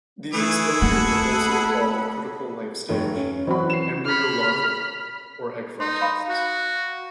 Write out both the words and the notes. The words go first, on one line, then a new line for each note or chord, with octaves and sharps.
These exposures are also called critical life stage, embryo-larval, or egg-fry tests.
E3 A3 E4 G#4
A3 A#3 A4 F#5 B5
F1 C#5
C#4
E3 F#3 C4 F#4 B5
C7 E7
B5 F6
D#4 C6
F5 B5
F#4